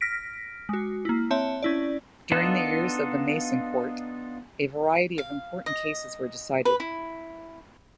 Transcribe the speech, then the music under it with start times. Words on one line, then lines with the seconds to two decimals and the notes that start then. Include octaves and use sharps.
During the years of the "Mason Court", a variety of important cases were decided.
0.01 F6 A#6 B6 D7
0.69 G#3 F#4
1.05 A#3 E4
1.31 C4 C#5 E5 A5
1.63 C#4 E4 D5
2.32 B3 D4 D#4 F4 A4
5.18 F5
5.66 D#5
6.65 B4
6.80 E4